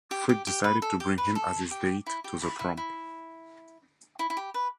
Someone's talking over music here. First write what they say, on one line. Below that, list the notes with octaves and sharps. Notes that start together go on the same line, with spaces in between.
Fricke decided to bring him as his date to the prom.
G4
G4
G4
B4
A4
G4
B4
A4
G4
E4
G4
E4
E4
E4
E4
E4
G4
B4